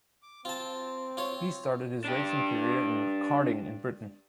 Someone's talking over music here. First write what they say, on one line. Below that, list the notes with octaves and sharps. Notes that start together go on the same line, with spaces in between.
He started his racing career in karting in Britain.
D6
C4 F4 A5
F4 C#5
D4 G4